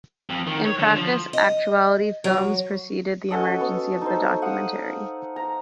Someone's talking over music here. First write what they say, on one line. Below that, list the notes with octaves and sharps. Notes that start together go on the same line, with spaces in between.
In practice, actuality films preceded the emergence of the documentary.
F2
D#3
C#5
D3
F3
D#5
F#3
C#4 F#4 A4 D#5
B3
D#4 C5
F5 F#5 D#6
A#5